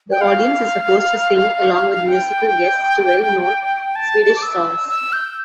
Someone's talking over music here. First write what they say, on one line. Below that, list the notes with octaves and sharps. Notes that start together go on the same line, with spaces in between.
The audience is supposed to sing-along with musical guests to well-known Swedish songs.
G5
F5
G5
A5
D6
E6
E6
G6